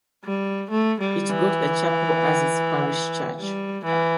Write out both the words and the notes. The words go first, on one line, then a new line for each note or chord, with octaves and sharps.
It got the Chapel as its parish church.
G3
A3
G3
E3
G3
E3